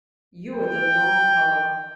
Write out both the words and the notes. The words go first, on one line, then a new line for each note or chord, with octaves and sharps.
You're the wrong colour.
G5